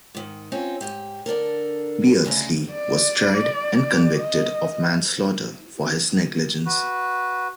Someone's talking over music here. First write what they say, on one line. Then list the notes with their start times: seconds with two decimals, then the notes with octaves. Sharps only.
Beardsley was tried and convicted of manslaughter for his negligence.
0.15 G#2 D#3
0.52 C4 C#4 D#4 F4
0.81 G#2 G4
1.26 D3 D4 A4 A#4
2.24 D2 C#3 B4 A#5
2.72 D5
4.20 D#5
6.66 F#4 B4